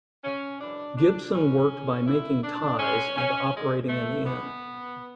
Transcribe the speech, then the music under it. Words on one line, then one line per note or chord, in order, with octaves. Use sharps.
Gibson worked by making ties and operating an inn.
C#4
F#2 E3 G#3 D4
D4
F#2 E3 G#3 C#4
F#2 D3 A3 E4
D4
C#3 G#3 C#4
C#4
F#2 D3 G#3
A3
C#3 E3 G#3 B3